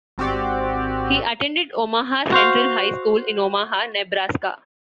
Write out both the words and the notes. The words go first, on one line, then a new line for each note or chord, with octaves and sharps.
He attended Omaha Central High School in Omaha, Nebraska.
G#1 C4 F#4 G4 D5
F#4 C5 F5